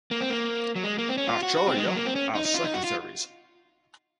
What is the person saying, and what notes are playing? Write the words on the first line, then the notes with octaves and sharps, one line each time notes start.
Acharya as secretaries.
A#3
C4
A#3
F#3
G#3
A#3
C4
C#4
F4
F#4
F#4
C4
G#3
F#3
A#3
C4
C#4
D#4
D#4
F4
D#4
F#4
F4